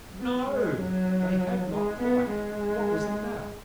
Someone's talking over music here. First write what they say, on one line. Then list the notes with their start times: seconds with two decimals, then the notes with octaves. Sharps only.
No! they had not quite: what was the matter?
0.20 B3
0.50 G#3
0.80 F#3
1.71 G#3
2.01 B3
2.31 G#3